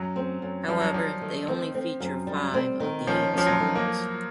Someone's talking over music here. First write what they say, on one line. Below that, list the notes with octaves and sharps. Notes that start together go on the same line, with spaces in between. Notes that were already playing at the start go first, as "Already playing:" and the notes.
However, they only feature five of the eight songs.
Already playing: F#2 F#3
C4
F#2
F3 G3
F#3
F3 G3
D#3
C4
C4
F#2
G3
C4
D#3
F3 C#4
F3 C#4
F#3
D#3
A#3